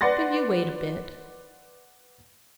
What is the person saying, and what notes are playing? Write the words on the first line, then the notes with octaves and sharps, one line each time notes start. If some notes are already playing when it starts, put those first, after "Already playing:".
But you wait a bit.
B4 D5 F#5 C6 A6 A#6